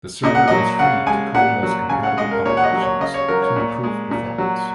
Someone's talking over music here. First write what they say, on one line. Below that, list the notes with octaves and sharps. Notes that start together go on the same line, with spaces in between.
The server is free to coalesce compatible operations to improve performance.
A#2 D#5
F#5
F#3 D#5
C#3 F#5
G#3 G#5
A#2 F#5
F#3
C#3 G#5
F#5
G#3 D#5
A#4
A#2 C#5
F#5
D#5
F#3
C#5
C#3 D#5
C#5
F#3 A#4
C#5
A#2
G#3
A#2
F#3